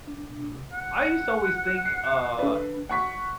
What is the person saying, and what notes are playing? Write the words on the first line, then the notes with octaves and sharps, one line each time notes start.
Mhm. I used to always think, uh,
D4
F#5
C7
D3 B4
F#5 C#6 B6